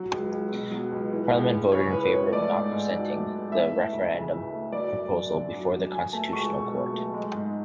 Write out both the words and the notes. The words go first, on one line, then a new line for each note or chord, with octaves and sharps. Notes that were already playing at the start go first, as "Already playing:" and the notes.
Parliament voted in favour of not presenting the referendum proposal before the Constitutional Court.
Already playing: F#3
C#2
C#2
B2
F#3
C#2
E3
C#2
C#2
C#3 C#5
E3 B4
C#2 C#5
A3 D5
G#2
G#2
F#3
A3
G#2
E3 E5
A3
D2
C#3
E3
A3
F#3 D5
F#2
F#2
D3
F#3
F#2
F#3 G#5
A3 A5
C#2 C#6
B2 C#6
F#3
A3
G#3
G#2